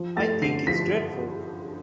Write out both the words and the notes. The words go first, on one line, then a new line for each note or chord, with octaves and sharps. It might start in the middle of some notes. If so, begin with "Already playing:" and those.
I think it's dreadful.
Already playing: F3
A3 A6
D3 C7
F3 B6